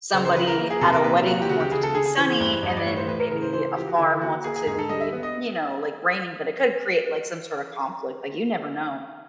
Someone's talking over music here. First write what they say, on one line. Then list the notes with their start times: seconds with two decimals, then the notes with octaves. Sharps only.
somebody at a wedding wants it to be sunny and then maybe a farm wants it to be, you know, like, raining, but it could create, like, some sort of conflict, like, you never know.
0.13 C#3 C5
0.25 C5
0.36 F3 B4
0.47 A#4
0.58 A#3
0.70 G#4
0.81 C3 A4
0.93 A#4
1.04 A#2 B4
1.26 A#2 F#4
1.42 G4
1.49 C#3 F#4
1.60 G4
1.71 C#3 G#4
1.83 A4
1.95 C#3 G#4
2.06 G#4
2.17 E3 C5
2.29 C5
2.40 G2
2.63 G2
2.69 D#5
2.77 D5
2.85 A2 C#5
2.97 C5
3.08 A2 B4
3.20 A#4
3.31 C#3 A#4
3.42 C5
3.53 E3 C5
3.76 F3 G4
3.87 F#4
3.99 D3 E4
4.10 E4
4.21 A#3 F#4
4.33 F#4
4.44 A#3 G#4
4.56 G#4
4.67 G#2 G#4
4.78 A4
4.89 G3 D#5
5.01 E5
5.12 B3
5.23 D#5